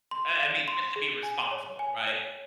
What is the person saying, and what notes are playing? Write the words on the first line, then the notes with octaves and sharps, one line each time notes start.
b I I mean, just to be responsible, right?
C6
F5
C6
G#4
G#5
C#5
G#5
C#5